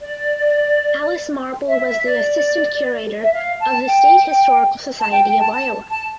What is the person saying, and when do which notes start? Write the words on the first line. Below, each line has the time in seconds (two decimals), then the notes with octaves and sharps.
Alice Marple was the assistant curator of the State Historical Society of Iowa.
0.01 D5
1.67 E5
1.86 E5
2.05 D5
3.21 E5
3.32 F5
3.60 A5
3.88 G5
4.99 A5
5.13 G5
5.26 G5
5.39 A5
5.53 A5
5.90 A5